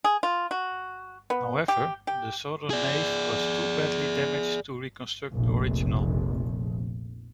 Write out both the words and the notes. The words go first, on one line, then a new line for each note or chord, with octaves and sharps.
However, the southern nave was too badly damaged to reconstruct the original.
G#4
F4
F#4
B3
G4
G4
G#4 D5
F1 A#1